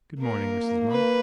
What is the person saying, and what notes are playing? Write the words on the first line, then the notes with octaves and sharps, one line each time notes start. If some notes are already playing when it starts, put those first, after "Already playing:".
Good-morning, Mrs. Munt.
A#3 A#4
B4